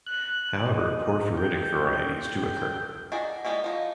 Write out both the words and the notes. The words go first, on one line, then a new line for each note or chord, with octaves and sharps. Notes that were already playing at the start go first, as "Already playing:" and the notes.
However, porphyritic varieties do occur.
F#6
D#5
G5
G5
D4 D#4 F#4 G#4
G3 G#3 B3 C#4 E4
F3 D#4